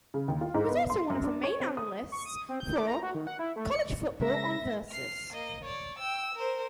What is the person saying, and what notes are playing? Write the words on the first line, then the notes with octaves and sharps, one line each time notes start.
He was also one of the main analysts for "College Football on Versus".
C#3
D#2
F4
G#2
B3
C6
F#2
D4
C#5
C4
D#6
C#6
D#6
C4
G6
D6
A#5
F#4
D#3
F#5
E4
A3
C#7
C#3 G#3 A#4 E5 A#6
F6 C7
A#3 D#5
C#5 D5
G5 E6
A#4 C5